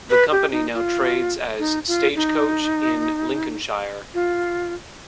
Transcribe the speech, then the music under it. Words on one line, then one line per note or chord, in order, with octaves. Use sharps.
The company now trades as Stagecoach in Lincolnshire.
B4
G4
D#4
F4
D#4
F4
D#4
F4